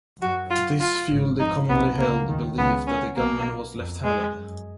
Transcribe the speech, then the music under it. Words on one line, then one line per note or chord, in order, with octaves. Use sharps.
This fueled the commonly-held belief that the gunman was left-handed.
F#2 F#3 F#4
F4
F4
G#1 G#2
F2 D#4
B1 B2 B3
C#2 C#3 A#3
D#2 D#3
C#2 C#3 B3
C#4
B1 B2 A#3
F2
F#2 G#3
F#2